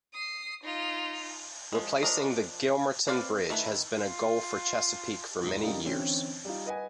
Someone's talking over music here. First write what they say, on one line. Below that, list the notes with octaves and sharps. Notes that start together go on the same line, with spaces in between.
Replacing the Gilmerton Bridge has been a goal for Chesapeake for many years.
D#6 C7
D#4 F4
F3 G#3
F3 D4 A#4 D#5
C4 B4 D5 F5
D#3 A3 E4 B4
F4
E1 G#3 D#4
C#3 G3 A#3 D#4 F4
D3 E3 C4 C#4
G3 D#4 F4
B4 D#5 F#5 G#5